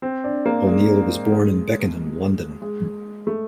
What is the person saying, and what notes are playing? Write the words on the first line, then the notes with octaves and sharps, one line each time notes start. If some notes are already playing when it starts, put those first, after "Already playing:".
O'Neil was born in Beckenham, London.
C4
D4
A#3
G#3
G#3
G#3
A3